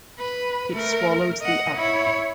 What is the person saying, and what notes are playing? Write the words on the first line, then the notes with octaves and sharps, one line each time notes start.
It swallows thee up.
B4
A3 A#4
D#5 F#5
E4 C#5